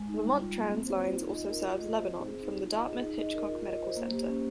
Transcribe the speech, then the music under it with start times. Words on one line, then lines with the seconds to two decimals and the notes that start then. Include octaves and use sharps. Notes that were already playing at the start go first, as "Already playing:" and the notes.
Vermont Translines also serves Lebanon from the Dartmouth-Hitchcock Medical Center.
Already playing: G#3
0.08 D#4
0.24 G3
0.39 F4
0.55 A#3
0.70 C4
0.86 C5
1.01 F4
1.17 D#4
1.32 D#5
1.48 A#4
1.63 F4
1.78 D#5
1.95 C5
2.10 C4
2.25 G#4
2.41 D#4
2.57 F4
2.72 D#5
2.88 G#4
3.03 D#4
3.19 D#5
3.35 A#4
3.50 F4
3.65 D#5
3.82 C5
3.97 A#3
4.13 G4
4.28 C#4